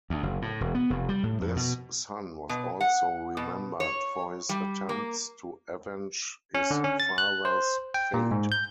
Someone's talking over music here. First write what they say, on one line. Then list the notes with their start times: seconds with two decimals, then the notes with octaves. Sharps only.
This son was also remembered for his attempts to avenge his father's fate.
0.10 D2
0.23 F#1
0.42 A2
0.61 E1
0.75 B3
0.90 F1
1.09 G3
1.23 A2
1.41 F2
1.56 B2
2.49 B2
2.81 F#5
3.37 B2
3.80 C#5
4.49 G3
4.89 A#3
6.55 C#4
6.71 D3
6.84 C#4
7.00 A6
7.18 F#6
7.45 C5
7.94 G5
8.14 A#2
8.31 G#2
8.52 G6